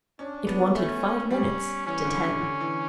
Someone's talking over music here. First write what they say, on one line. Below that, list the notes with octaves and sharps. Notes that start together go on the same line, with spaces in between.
It wanted five minutes to ten.
C#4 D4
B3
A3 C#4
G3 C#4
E3 C#4
D3
D3
D3
E3